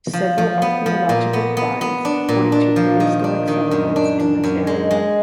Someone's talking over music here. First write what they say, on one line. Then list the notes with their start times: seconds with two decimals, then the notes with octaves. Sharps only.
Several archaeological finds point to prehistoric settlements in this area.
0.13 F3
0.38 F3
0.62 B3
0.86 F3
1.09 A#2
1.33 B3
1.57 B3
1.81 B3
2.05 D4
2.29 A#2
2.52 D4
2.76 F3
3.00 D#3
3.24 D4
3.48 D#3
3.71 F#2
3.96 D4
4.20 D4
4.44 F#2
4.67 G#3
4.91 G#3